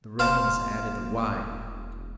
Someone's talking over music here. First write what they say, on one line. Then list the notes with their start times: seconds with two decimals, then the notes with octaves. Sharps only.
The Romans added the y.
0.19 E1 A#3 C5 F5 A5 F6